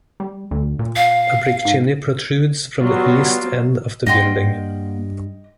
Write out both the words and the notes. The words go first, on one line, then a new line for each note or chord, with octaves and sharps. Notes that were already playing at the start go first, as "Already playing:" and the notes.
A brick chimney protrudes from the east end of the building.
G3
D2
A#2
F5
G#2
F#3 G3 B3 F4
G2 A#3 D#5 F#5 G5 C6